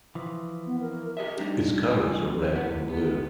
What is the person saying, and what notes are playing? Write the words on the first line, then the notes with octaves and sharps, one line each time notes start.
Its colors are red and blue.
E3 F3
B3
A#4
G4 D#5 E5
G3 D4 D#4
D2 C#3 G3 G#4
F2
E4 B4 F#5
B3